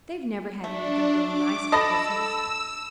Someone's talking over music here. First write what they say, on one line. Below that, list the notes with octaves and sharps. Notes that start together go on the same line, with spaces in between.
They've never had anything really nice for Christmas.
A3 D4
D6
A4 D#5 B5 E6 A#6